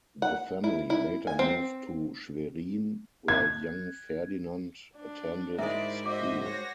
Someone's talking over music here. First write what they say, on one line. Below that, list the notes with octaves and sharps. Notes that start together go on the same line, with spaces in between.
The family later moved to Schwerin, where young Ferdinand attended school.
F#5
E4
E4
G#5
C4
G#6
D4
G#2 G#3 E4 A#4 C5 D5 E5
F#4 C5 D#5 E5 D6
F#4 C#5 A#6